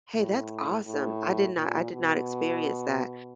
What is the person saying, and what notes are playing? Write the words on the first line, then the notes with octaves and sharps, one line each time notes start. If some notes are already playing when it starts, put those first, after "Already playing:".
Hey, that's awesome. I did not I did not experience that.
A2
A2
A#2
B2